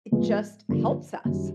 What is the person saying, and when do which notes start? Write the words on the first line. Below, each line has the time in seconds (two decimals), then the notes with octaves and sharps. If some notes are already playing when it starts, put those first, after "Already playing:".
it just helps us.
0.11 A2 F3 G#3 B3
0.69 G2 D3 F3 A#3
1.25 F#2 D#3 G3